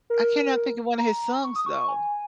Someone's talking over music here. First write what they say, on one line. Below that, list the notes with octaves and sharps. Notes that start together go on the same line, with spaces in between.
I cannot think of one of his songs though.
A#4
A#5
C#6
D#6
C#6
C#6
G#5